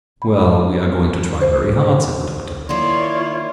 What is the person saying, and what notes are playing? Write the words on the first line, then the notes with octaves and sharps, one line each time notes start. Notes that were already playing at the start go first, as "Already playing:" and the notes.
"Well, we are going to try very hard," said the Doctor.
B5
C5
D#3 A#3 E4 F4 C#5 D5 C6